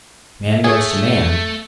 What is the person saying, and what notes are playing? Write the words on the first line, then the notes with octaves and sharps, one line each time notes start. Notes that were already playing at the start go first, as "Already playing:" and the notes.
Man goes to Man!
A3 G#4